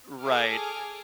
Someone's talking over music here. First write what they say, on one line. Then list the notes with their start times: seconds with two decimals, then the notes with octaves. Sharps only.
Right, a
0.20 G#4 A4 D6 F6